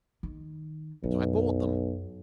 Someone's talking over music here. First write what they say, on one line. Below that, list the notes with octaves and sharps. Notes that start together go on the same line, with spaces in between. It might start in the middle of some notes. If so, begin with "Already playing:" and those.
So I bought them.
D#3
B1 F#2